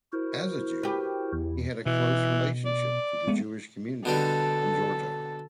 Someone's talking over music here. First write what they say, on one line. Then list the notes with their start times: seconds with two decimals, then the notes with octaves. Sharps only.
As a Jew, he had a close relationship to the Jewish community in Georgia.
0.13 E4 F#4 A#4 C5
0.83 G4 B4
1.32 E2
1.86 B2 E3
2.65 D5
3.27 G#3 A3 B3
4.05 B2 D3 G3 A4